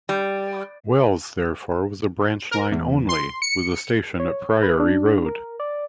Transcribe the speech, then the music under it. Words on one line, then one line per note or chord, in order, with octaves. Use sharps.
Wells therefore was a branch line only, with the station at Priory Road.
G3
A#4
E2
C6
C#7
C#5
B4
D4
A#4
D5